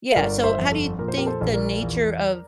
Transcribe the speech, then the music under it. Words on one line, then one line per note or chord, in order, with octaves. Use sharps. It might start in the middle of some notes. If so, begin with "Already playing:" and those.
Yeah, so how do you think the nature of
G1 A#4 D5
C5 E5
F2
A4
A#2 A#4
C5
G4 A#4
A4 C5
A#1
A#4 D5
E2